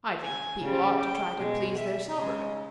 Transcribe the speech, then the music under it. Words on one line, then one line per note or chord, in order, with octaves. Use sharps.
"I think the people ought to try to please their sovereign."
G#5
C#3 G3
G5
B2 G#3
E5
C#3 G#3 D#5